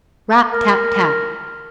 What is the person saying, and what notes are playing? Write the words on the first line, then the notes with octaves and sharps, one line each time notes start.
Rap! tap! tap!
A#4